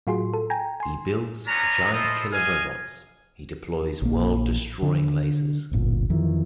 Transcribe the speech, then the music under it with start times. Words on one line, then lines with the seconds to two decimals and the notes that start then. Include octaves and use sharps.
He builds giant killer robots, he deploys world-destroying lasers.
0.07 A2 F#3 F4 F#4 G#4 C6
0.34 A4
0.50 G5 G#5 A#5
0.80 G#5 C6
1.47 B3 C#4 D4 A#5
1.93 E4 F4 A4 C5 D#5
2.32 D#5 F5 G#5
4.02 A#1 A#3
4.82 D3
5.71 D1 G1 A#2
6.10 F2 D#3 E3